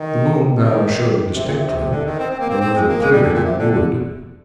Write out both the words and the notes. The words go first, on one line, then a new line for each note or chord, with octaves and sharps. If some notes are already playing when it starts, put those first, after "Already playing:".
The moon now showed distinctly a little clearing in the wood.
Already playing: D#3
D#3
C3
A#2
C3
C3
C3
D3
D#3
C4
C4
A#3
C4
C4
G#3
A#3
G#3
G3
D3
A#2
C3
D3
D3